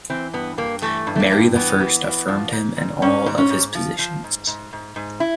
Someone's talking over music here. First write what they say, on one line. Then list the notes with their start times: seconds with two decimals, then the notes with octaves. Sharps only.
Mary the First affirmed him in all of his positions.
0.10 E3 C4
0.33 G2 B3
0.58 G2 A#3
0.82 E3 A3
1.07 G2
1.15 A3
1.20 A#3
1.31 G2
1.55 E3 B3
1.80 E3
2.04 E3
2.28 F3
2.53 G#2
2.77 G#2
3.02 G#2 C#4
3.26 G#2
3.38 C#4
3.50 G#2
3.75 F3
3.99 F3
4.24 G#2
4.47 G#2
4.73 G#2
4.96 G#2
5.20 E4